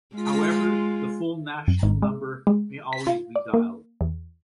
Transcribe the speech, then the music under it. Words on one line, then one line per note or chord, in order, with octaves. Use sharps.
However, the "Full National Number" "may" always be dialled.
G#3 F4
F#2
G#1
G#3
G#3
B6
F4
D5
A#3
E2